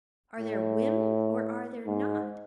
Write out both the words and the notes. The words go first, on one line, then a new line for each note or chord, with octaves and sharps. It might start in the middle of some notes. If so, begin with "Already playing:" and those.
Are there women or are there not?
A2
G#2